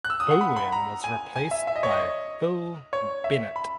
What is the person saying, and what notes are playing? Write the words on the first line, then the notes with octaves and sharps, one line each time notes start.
Bowen was replaced by Phil Bennett.
F#6
E6
D#6
F#5
B5
B5
A#5
G#5
G#5
E5
E5
D#5
C#5
D#5
C#5
E5
B5